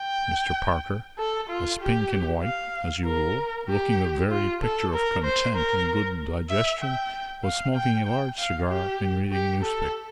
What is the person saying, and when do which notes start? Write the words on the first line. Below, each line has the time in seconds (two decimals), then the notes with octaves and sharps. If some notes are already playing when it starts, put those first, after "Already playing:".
Mr. Parker, as pink-and-white as usual, looking the very picture of content and good digestion, was smoking a large cigar and reading a newspaper.
Already playing: G5
1.18 A4
1.50 F4
1.81 G4
2.43 F5
3.06 A#4
3.69 G4
4.31 F4
4.63 A4
4.94 A#4
5.25 C5
5.56 A#4
6.50 E5
6.81 G5
7.44 F5
7.75 G5
8.07 G5
8.38 F5
8.69 G4
9.32 G4
9.63 A4